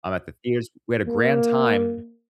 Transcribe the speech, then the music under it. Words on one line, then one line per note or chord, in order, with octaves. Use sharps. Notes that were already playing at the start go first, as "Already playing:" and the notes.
I'm at the theaters, we had a grand time.
A#3